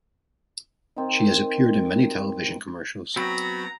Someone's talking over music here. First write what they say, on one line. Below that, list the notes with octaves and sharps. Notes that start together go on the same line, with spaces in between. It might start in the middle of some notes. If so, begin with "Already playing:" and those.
She has appeared in many television commercials.
D#3 C4 D#4
F#3 B3 C4 F#4 A#5 B5